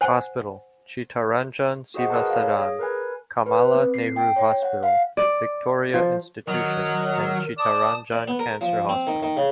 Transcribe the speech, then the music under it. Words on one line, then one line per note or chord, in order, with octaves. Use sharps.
Hospital, Chittaranjan Seva Sadan, Kamala Nehru Hospital, Victoria Institution, and Chittaranjan Cancer Hospital.
C5 F#5 G#5
F#4 G#4 C5 D#5 F#5
G#4 A#4 B4 A5
C#5 F5
G#4
A#4 B4 G#5
B4
C4
C7
G5
C#5
F#5
F5
D5
F3
D#3 F#3 D#5 F6
D5 A5 D#6
D5
B3
A#4
F3
C4
D#3
D#3
C#3